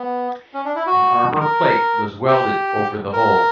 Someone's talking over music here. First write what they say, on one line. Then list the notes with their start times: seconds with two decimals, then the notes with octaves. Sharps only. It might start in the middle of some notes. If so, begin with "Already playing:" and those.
An armour plate was welded over the hole.
Already playing: B3
0.54 C#4
0.65 D4
0.76 E4
0.87 F#4
1.40 A#4
2.28 G4
3.13 A#4